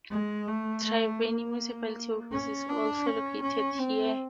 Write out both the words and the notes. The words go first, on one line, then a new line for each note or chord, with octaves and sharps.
Triveni Municipality office is also located here.
G#3
A3
A3
A#3
C#4
D4
C#4
C#4
C4